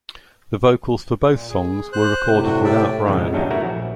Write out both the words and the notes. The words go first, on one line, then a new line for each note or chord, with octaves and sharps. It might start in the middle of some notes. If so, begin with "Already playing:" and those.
The vocals for both songs were recorded without Brian.
A#2
G#4
C5 F#6
A2 C3
D4 F#4
D5 E5 G5
A#1 F2 G#2 C#3
G#3
E2 G2 F#3 G3 D4 D#4
A3 E4 F#4 A#4
A#1